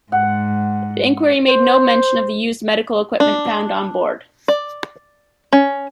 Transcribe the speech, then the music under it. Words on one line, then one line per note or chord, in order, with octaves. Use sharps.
The inquiry made no mention of the used medical equipment found on board.
G#2 F#5
C5
D4
D5
C#4